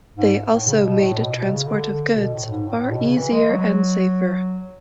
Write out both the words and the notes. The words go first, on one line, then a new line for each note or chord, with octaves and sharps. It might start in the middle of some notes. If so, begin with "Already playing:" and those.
They also made transport of goods far easier and safer.
G#2
A2
C#3
B2
A2
B2
B2
C#3
D3
D3
B2
A2
G#2
A2
A2
B2
C#3
E3
G#3
F#3